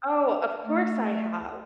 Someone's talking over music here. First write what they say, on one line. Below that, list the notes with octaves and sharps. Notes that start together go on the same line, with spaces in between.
Oh, of course, I have.
A3